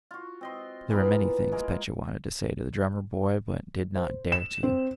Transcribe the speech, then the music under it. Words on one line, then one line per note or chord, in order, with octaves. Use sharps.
There were many things Petya wanted to say to the drummer boy, but did not dare to.
F4 F#4
C4 D#5 C6
E3 A#3 B3 F4
G#3 A#3 G#4
C5
E7
C4